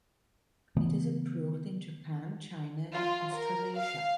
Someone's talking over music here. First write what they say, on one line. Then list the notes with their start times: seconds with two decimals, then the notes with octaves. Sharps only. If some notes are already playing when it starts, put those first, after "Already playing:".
It is approved in Japan, China and Australasia.
0.77 C#3 E3 A3 B3
2.94 F4
3.35 A#4
3.78 F5